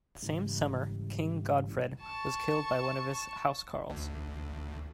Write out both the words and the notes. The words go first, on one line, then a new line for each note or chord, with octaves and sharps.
That same summer King Godfred was killed by one of his housecarls.
G#2 C#3 E3 G3
A5 C#6
D2